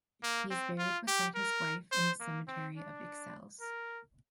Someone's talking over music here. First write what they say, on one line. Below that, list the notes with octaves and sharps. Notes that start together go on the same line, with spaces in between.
He is buried beside his wife in the cemetery of Ixelles.
A#3
C4
F4
G4
A#4
C5
A#3
C4
D4
A#4